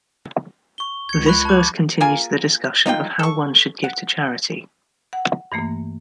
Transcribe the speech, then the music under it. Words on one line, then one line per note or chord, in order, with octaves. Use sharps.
This verse continues the discussion of how one should give to charity.
C#6 G7
C#2 G#6 C#7
B5 C#6 F#6
A5 D6
A#3 F4 G#4 G#5
D#4 F4 D5 G5
A4 C#6
F#5
F#5
G2 E3 A3 A#3